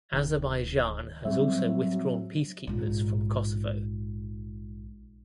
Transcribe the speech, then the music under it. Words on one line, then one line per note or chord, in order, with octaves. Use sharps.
Azerbaijan has also withdrawn peacekeepers from Kosovo.
D1 D#3
A2 F#3 G3 C4 E5
A#1 G#2